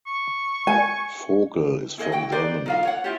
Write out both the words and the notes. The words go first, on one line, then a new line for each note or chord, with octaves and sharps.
Vogel is from Germany.
C#6
G#5
E4 G#4 C5 D#5
E4 F#4 G5
D#4 B4 C5 D5
D#4 F4 F5
C#5 F#5
E4 F4 G4